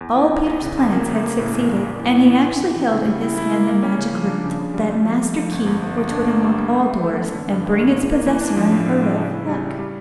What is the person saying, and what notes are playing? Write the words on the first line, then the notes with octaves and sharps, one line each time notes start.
All Peter's plans had succeeded, and he actually held in his hand the magic root--that master-key which would unlock all doors, and bring its possessor unheard-of luck.
E2
E3
E2
E2
C#3
F2
A#3
C#3
A#3
A2
A#1
A#3
A1
E3
A1
E3
E3
E3
E3
C#3
G3
E4
E4
A#3
A#3
C#4
C#3
F3
D4
C#3
C#3
G3
A3
F3
F3
F3
G1
F2
G1
G1
D4
A#3
G3
G3
A3
A3
A3
C#4
D3
G2
G1
G2
E3
A#3
E3
D4
F3
A2
A2
A2
C#3
E4
G3
G3
G3